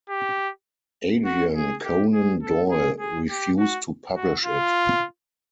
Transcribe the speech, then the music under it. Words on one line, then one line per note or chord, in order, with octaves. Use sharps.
Adrian Conan Doyle refused to publish it.
G4
F#4
G#4
G4
G#4
A4
G#4
G#4
G4
F#4
F#4
F4